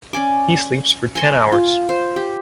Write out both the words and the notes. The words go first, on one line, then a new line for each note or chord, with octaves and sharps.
He sleeps for ten hours.
C#4 D5 G#5 D6
G#5 C6 C#6
F4
C5
G4